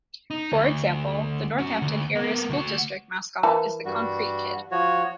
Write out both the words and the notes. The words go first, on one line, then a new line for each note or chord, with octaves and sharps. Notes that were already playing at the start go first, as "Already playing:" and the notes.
For example, the Northampton Area School District mascot is the Konkrete Kid.
D#4
D2
C#4 F#4
D2
A#3 B3
D2 F#4
E3 A#3 A5
G2 G3 F#4
F3 F#4 C#5